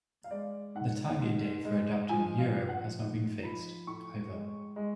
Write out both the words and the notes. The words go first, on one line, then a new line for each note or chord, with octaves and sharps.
The target date for adapting the Euro has not been fixed, either.
F5
G#3 D5
G#2 F#5
G#2
G#3
F3 G#5
F5
F3
F#5
G#2
F3 B5
A2 C#6
G#3
G#3